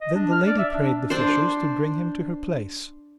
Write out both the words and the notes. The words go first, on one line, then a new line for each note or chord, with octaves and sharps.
Then the lady prayed the fishers to bring him to her place.
D#5
D4
F6
D5
E5
D4
D4 C5